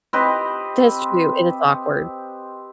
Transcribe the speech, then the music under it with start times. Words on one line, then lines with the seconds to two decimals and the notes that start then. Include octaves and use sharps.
That's true, it is awkward.
0.13 C4 G4 B4 D#5